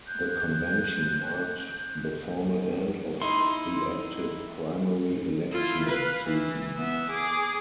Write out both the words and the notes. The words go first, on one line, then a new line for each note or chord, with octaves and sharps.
The convention marked the formal end of the active primary election season.
F#6 G6
D#4 E4 C6
E4 F4
B4 F5
E3
B3 E5
G#4 D6